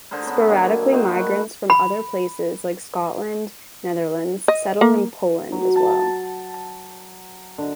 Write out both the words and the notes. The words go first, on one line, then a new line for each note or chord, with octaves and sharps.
Sporadically migrants from other places like Scotland, Netherlands settled in Poland as well.
D3 G#4 A#4 C5
B3 C#4
D3 D#3 F#3 A#3
D#3 D#4 F#4 C5
A3 B4
B5
D#5
A#3
F#3
A5
D3